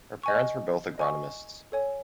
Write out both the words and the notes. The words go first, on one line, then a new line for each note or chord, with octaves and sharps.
Her parents were both agronomists.
D#5 G#5 C#6
D#5 G#5 C#6
A4 C#5 G#5